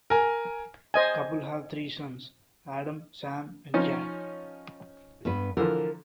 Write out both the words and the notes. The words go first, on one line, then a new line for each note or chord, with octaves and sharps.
The couple have three sons: Adam, Sam and Jack.
A#4 G#5
C5 D#5 G#5
F3 C#4 D#4
G2 B3 B4
D3 E3 F3 A#4